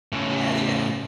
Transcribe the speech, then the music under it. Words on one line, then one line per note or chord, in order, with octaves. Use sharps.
Yeah, yeah.
A2 C#3